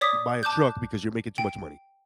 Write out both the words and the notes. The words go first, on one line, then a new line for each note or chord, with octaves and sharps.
buy a truck because you're making too much money."
C#5 D5 D6 D#6 B6
A5 D6 F#6 G6
G5